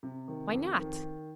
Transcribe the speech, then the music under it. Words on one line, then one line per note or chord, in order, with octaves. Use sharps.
"Why not?"
C3
D#3
F2
D#3